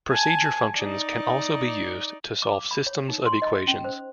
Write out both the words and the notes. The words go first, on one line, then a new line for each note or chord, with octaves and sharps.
Procedure functions can also be used to solve systems of equations.
G#5 A5
D#4 D5
D6
B5
C#5
D#4
C6
D#5
C#4
C5